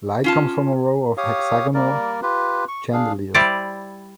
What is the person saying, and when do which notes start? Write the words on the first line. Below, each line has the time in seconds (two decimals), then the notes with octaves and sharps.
Light comes from a row of hexagonal chandeliers.
0.24 C#4 F4 A5
1.17 G4 C#5 F5 D#6
1.74 G3 A#3 A#4 D5
2.22 F4 G4 B4
2.68 C#6
2.93 D4 G#4 F5
3.34 G3 E4 C5 D5